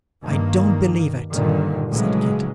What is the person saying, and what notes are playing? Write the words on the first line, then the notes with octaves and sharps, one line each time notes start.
'I don't believe it,' said Kit.
G2 D#3 A#3
G2 A#2 D3 D#3
A#1 A2 C#3 E3 F#3 G#3